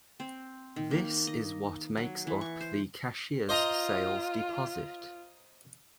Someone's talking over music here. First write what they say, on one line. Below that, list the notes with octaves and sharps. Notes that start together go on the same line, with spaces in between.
This is what makes up the cashier's sales deposit.
C4
D#3
A#3
D#5
F#3
E3
C#6
C5
F4 C5 D#5 A#5